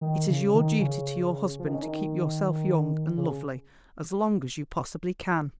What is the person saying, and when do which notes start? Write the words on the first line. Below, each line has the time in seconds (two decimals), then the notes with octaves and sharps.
It is your duty to your husband to keep yourself young and lovely as long as you possibly can.
0.01 D#3
0.28 C#3
0.54 D#3
0.80 C#3
1.59 F3
1.67 D#3
1.74 C#3
1.83 D#3
3.17 C#3